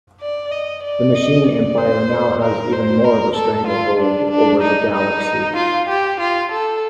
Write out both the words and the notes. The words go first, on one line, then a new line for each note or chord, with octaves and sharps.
The Machine Empire now has even more of a stranglehold over the Galaxy.
D5
D#5
D5
D#5
D5
C5
A#4
C5
A#4
A4
F4
D4
D4
D#4
D#4
F4
G4
F4
A4